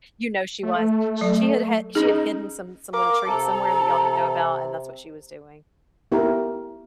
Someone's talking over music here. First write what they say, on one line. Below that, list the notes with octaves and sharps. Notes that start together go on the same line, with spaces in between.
you know she was. Sh she had had she had hidden some some little treats somewhere that y'all didn't know about, and that's what she was doing.
A3
F#3
C#4 D#4 G#4
A#4 F5 D6
C3 A4 A#5
B3 E4 G4 A#4